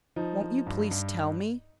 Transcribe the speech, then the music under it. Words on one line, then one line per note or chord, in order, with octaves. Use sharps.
"Won't you please tell me?"
F3 D#4
F3
G2
G2